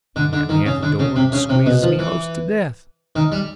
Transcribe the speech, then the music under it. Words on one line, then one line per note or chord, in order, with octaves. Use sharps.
He met me at the door, and squeezes me 'most to death.
D3
D3
D#3
C#3
D3
C#3
C3
C#3
C3
B2
F3
E3
D#3
G3